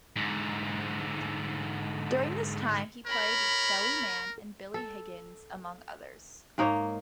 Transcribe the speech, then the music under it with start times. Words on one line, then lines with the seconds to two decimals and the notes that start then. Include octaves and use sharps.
During this time he played with Shelly Manne and Billy Higgins, among others.
0.16 G#2 D3
3.06 A#4 C#5 B5
4.74 A4
6.58 G#2 A#3 D#4 C#5